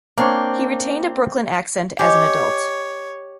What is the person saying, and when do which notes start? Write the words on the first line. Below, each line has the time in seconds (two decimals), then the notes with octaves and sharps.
He retained a Brooklyn accent as an adult.
0.18 A#3 C4 D4 C#5
1.99 G4 C#5 D#5 G#5